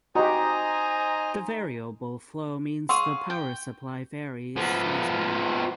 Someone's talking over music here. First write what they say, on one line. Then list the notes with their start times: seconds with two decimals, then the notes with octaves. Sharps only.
The variable flow means the power supply varies seasonally.
0.15 D#4 F#4 G4 C5 D#5 G#5 A#5
2.89 G#4 C#5 F5 F#5 C6 E6
3.30 G5
4.56 F3 B3